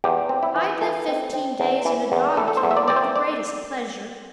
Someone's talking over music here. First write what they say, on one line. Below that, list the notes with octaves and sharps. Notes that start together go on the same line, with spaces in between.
I'd live fifteen days in a dog-kennel with the greatest pleasure.
E2 G4
C4
E4
E3
E3 A4
C4
C4
E2
E3
E2
E3 A4
A4
C5
E2
E5
D5
C4 D5
C5
D5